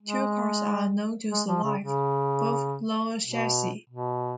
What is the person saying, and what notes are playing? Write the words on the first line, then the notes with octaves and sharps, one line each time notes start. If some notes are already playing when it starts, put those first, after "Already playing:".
Two cars are known to survive, both low chassis.
G#3
G#3
F3
C#3
C#3
B2
B2